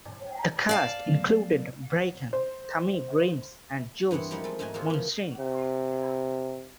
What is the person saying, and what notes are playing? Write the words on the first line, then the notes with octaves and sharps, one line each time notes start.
The cast included Bracken, Tammy Grimes, and Jules Munshin.
D5 F5 A5
F#3 A3 B3
C5
G2 E3 B3 C4 F#5
F3 G3 A#3 D#4 E4 F#5
G#3 A4
G#2 A3 D#4 F#4 D#5 G#5
A#3 F4 F#4 G#4 C5
E3 F3
C3